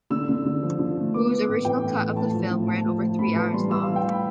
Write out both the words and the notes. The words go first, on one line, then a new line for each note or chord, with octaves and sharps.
Woo's original cut of the film ran over three hours long.
D3 E6
D3
D3
F3
D3
A3
B3 D6
B3
A2
E3 G5
A2
A2
A2 A5
F3
A2
F3 A5
F3
F3
A2 B5
E3 A5
G3 C6
E3 E6
F5
E3
G5
E3
B5